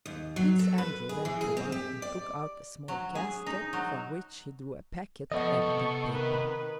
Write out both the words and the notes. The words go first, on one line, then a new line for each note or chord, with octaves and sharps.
Prince Andrew went to one and took out a small casket, from which he drew a packet wrapped in paper.
D#2
F#3
A4
B4
G#4
E3
G#4
C4
G4
D5
F#3
G#4
D#4
F#3
F3 B3 A4 D#5 C#6
C3
D#3 B4